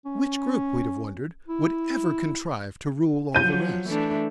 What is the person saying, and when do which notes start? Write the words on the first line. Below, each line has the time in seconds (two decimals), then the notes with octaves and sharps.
Which group, we'd have wondered, would ever contrive to rule all the rest?
0.06 C#4
1.48 E4
3.35 F3 F#3 G6 D#7
3.89 E3 A3 D4